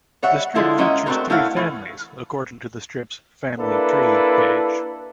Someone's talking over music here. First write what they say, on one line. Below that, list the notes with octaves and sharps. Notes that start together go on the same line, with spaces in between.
The strip features three families, according to the strip's "Family Tree" page.
G3 C#5 E5 F#5
D3 F3 G#3 E4 F4 A4
G#3 A#3 C#4 D#5 E5 F#5
A3 C4 D4 F4 F#4 A#4
A3 E4 C#5 F5 F#5
E3 A3
A#3 D4 E4 A4 B4